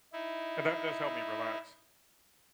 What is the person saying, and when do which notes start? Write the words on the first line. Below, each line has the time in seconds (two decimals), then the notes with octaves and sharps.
and that does help me relax.
0.13 D#4 E4